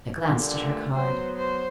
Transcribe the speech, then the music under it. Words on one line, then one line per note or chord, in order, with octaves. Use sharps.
I glanced at her card.
G2 A#2 D3
A3
F#3 B3 C5
C5